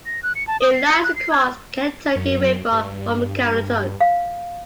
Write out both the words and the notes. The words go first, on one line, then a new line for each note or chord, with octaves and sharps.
It lies across the Kentucky River from Carrollton.
A#6
F#6
C#7
A5
D#6
C7
C#7
F#6
C7
G#6
F#2
G2
F5